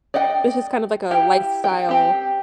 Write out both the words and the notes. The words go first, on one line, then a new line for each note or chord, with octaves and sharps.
It's just kind of like a lifestyle
D5 D#5 F#5 G5
E4 G4 F5 G5
G5
C4 G4